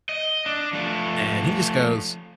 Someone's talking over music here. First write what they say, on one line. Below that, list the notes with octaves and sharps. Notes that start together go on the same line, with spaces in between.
and he just goes,
D#5
D4
F3 A3